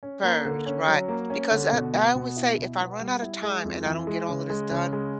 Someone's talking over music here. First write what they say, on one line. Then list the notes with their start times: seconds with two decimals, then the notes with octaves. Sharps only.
First. Right. Because I I would say, "If I run out of time and I don't get all of this done,
0.03 C#4
0.23 A#3
0.45 D3
0.66 C#4
0.87 F#3
1.08 A#3
1.30 C#4
1.51 D3
1.73 B2
1.94 B3
2.15 B2
2.37 E4
2.58 B2
2.79 B3
3.00 G3
3.22 E4
3.43 G#3
3.64 F2
3.86 E3
4.07 G#3
4.29 C#3
4.50 G#3
4.71 C#3
4.93 G#3